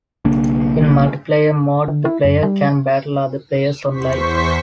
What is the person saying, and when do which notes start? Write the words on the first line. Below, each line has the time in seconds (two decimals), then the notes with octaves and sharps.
In multiplayer mode the player can battle other players online.
0.25 B1 C#3 A#3 D4
1.88 D3
2.05 E4
2.25 F#2
2.43 G3
3.89 E2 C5 C#6 B6